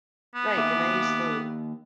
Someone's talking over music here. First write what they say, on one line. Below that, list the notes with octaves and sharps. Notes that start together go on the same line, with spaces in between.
Right, and I used to,
B3
D#2 E5 D6